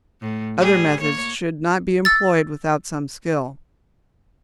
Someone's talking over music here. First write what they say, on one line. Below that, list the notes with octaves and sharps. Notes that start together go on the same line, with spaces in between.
Other methods should not be employed without some skill.
A2
G3 G#4
A#3 C#5
E6 A6